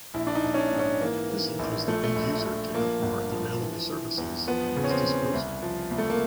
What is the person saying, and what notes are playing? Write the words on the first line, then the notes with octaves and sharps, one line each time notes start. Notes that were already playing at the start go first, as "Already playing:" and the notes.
This allows the end user to have more available services at his disposal.
A#1 E4
D4
D#4
A#1
C#4
D4
G#2
C#4
E3 A#3
E3
A#1
F3 A3
A3
A#1
A#1
F3 A#3
G1
F3
E3
E3
E2
F3 B3
C#3
C#4
C4
C#3
C2
F3
C2
A3
A#3